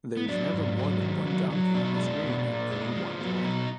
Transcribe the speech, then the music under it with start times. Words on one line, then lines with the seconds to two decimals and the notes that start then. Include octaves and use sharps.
There is never more than one donkey on the screen at any one time.
0.17 B3
0.28 F#3 D4
0.53 G#2
0.77 F#3
1.01 D#3
1.26 F#3
1.50 F#3
1.74 B2 D4
1.84 D#4
1.94 G#3 D4
2.23 B2
2.48 A#2
2.71 G#3
2.96 F3
3.20 F#3 B3
3.45 B2 D#4